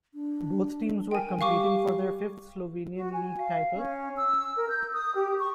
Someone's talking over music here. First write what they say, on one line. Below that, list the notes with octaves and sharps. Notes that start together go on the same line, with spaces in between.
Both teams were competing for their fifth Slovenian League title.
D4
A#4 G5 G#5
G3 F5 C#6 D6
F#4
G#5
F5
C#4
E6
A#4
G6
D#6
G4
C#6